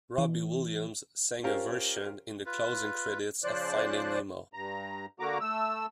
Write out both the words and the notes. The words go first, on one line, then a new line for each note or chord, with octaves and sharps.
Robbie Williams sang a version in the closing credits of Finding Nemo.
E3
C#4 F4 G4 A#4 C5
F4 B4
C#3 F3 C5 D5 F#6
G2 A#5
D3 A#3 F#4 A#5 D6
A3 E6